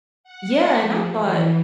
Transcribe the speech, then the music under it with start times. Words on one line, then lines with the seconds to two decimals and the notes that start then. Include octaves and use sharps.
Yeah, and I thought
0.24 F#5
0.76 F3
1.20 E3